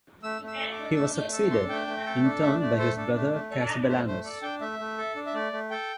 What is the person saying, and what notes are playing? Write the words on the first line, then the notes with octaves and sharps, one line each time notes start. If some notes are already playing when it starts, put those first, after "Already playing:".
He was succeeded, in turn, by his brother Cassibelanus.
A3 E6
A3
E6
A4
D6
D4
A3 E6
A3 G6
A4 E6
D4 C6
A3 G5
A3
A4
D4
A3 E5
A3 D5
A4 C5
D4 A4
A3
A3
A4
D4
A3 C5
A3 C5
A4 D5
D4 G5
A3 E5
A3
A4
D4
E5
A3 D5
A3
A4 G5